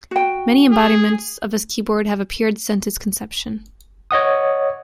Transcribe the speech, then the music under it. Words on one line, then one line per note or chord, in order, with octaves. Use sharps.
Many embodiments of this keyboard have appeared since its conception.
F#4 G5
G#4
C#5 D#5 F#5 D#6